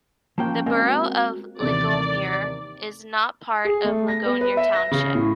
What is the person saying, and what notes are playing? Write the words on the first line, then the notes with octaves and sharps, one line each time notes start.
The Borough of Ligonier is not part of Ligonier Township.
F3 A#3 C#4 G5
G#3 A#3 C4
F#4
D#2 C3 E3 D5
G#4
A3
A#6
B3
B4
E5
A#6
C#3
A2